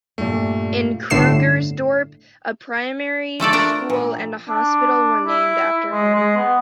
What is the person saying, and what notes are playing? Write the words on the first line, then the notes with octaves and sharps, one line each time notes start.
In Krugersdorp, a primary school and a hospital were named after him.
G2 A#2 A3
G1 A2 D3 A3 C7 E7
F3 A3 A4 D5
A3 D4 A#4 G5
A#2
D4
E4
G#3
G#3
B3